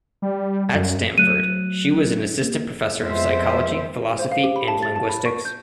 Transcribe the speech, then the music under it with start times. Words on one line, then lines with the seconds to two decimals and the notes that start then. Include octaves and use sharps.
At Stanford, she was an assistant professor of psychology, philosophy, and linguistics.
0.22 G3
0.74 F#2
1.18 F#3 A3 F#6 D#7
2.42 A#3
3.03 F2 G#3 B3 C5 E5
4.19 C5
4.32 F5
4.44 G4
4.56 B5
4.68 A5
4.83 A6
4.96 A5
5.09 B5
5.26 C#6
5.45 G6